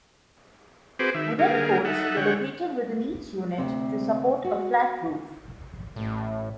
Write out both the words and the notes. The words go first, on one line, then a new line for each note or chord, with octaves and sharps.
Wooden poles were located within each unit to support a flat roof.
C4 F#4 G#4 B4 C5 D6
D#3 E5
D3 G3 A#3 G#4 A#4
D#4 A4 E5 F#5
D3 C#5 F#5 G5
D2 C3 C4
F#4
A1 A2